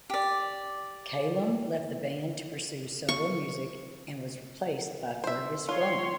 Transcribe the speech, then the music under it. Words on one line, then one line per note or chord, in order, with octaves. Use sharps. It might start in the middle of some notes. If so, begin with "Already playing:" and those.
Calum left the band to pursue solo music and was replaced by Fergus Romer.
G4 D5
C#6
C5 E5
F4 C#5 C6